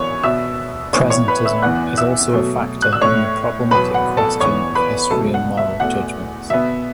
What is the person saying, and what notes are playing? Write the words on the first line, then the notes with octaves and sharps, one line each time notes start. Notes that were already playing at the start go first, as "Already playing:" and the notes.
Presentism is also a factor in the problematic question of history and moral judgments.
Already playing: F#2 E3 B3 C#5 C#6
B2 B3 E5 E6
A2 E3 B3 C#5 C#6
C#5 C#6
B4 B5
E5 E6
E2 E3 B3 F#5 F#6
E5 E6
B2 F#3 A3
F#6
E6
A2 A3 C#5 C#6
E2 B2 F#3 B4 B5
F#5
A4 A5
E2 E3 B3 C#5 C#6
B4 B5
C#2 B2 F#3 A3 A4 A5
F#5
E5
E2 B2 A3 F#5
B2 B3 E5